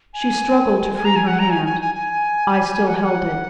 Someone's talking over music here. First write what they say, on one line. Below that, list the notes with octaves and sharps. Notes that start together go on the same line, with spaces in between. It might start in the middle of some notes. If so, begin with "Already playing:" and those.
She struggled to free her hand; I still held it.
G#5
G#5
A#5
G#5
F#5
A#5
G#5
G#5
G#5
G#5
F#5
G#5
F#5